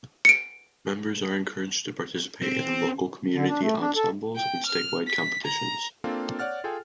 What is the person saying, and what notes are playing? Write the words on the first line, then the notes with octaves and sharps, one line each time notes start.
Members are encouraged to participate in local community ensembles and statewide competitions.
C#7 D7
C4
D3
D4
A3
D4
A4
G5
F6
B6
A#5
A#3 C4 D4 F4 A4 F5
C#5 D5 F#5 F6 A6
F4 G#4 A4 G5 G#5